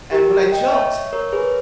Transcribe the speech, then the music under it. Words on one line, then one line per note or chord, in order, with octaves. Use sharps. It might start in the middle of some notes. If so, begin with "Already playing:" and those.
and when I jumped,
G4 A#4
D#5 G5
C#5 E5
A#4 C#5
G#4 B4